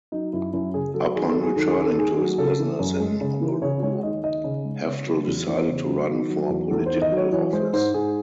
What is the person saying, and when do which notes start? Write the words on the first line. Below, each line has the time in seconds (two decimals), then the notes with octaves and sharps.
Upon returning to his business in Honolulu, Heftel decided to run for political office.
0.12 F#3 D#4
0.33 F#2 E4
0.53 F#2 E4
0.74 C#3 G#4
0.94 F#3 A4
1.15 D#3 G#4
1.29 A4
1.36 F#3
1.43 G#4
1.56 D#2 A4
1.70 G#4
1.77 D#2
1.85 A4
1.97 D#3 G#4
2.18 F#3
2.38 C#3 A4
2.59 E3
2.79 F#2
3.00 G#3
3.21 C#3
3.41 E3
3.62 C#3 C#5
3.83 G#3 C#5
4.03 D#2 D#5
4.23 D#2 D#5
4.44 C#3
4.65 G#3
4.85 C#3 C#5
5.06 F#3
5.27 E2
5.47 E2 C5
5.68 C#3
5.88 F#3
6.09 D#3
6.29 F#3
6.50 E2
6.71 E2 A4
6.86 D#3 C5
7.02 D#5
7.12 F#3
7.17 C#5
7.32 E3 C#5
7.53 G#3 C5
7.73 G#2 C5
7.94 G#2 G#4